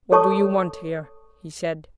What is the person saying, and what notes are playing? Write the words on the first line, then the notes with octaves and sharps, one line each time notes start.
"What do you want here?" he said.
A4 C#5 A5 C#6 D#6